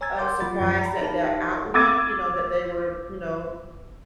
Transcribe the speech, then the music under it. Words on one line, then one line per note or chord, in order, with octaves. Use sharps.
uh, surprised that their outlook, you know, that they were, you know
C#5 G#5 A#5 E6 G#6 A6
A#4 F#5 C6 D6 G6
F#3 F4 B5 A6
F#2 F3
A#5 B5
D#4 G4 A#4 A5
D6 E6 G#6 A6 D#7